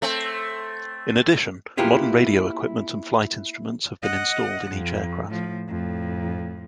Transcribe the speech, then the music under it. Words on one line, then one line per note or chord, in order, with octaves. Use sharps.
In addition, modern radio equipment and flight instruments have been installed in each aircraft.
A3 C4
A#3 B3 E4 F4 G4 G#4
D#5 F#5
F2
A2 F3
F2 A2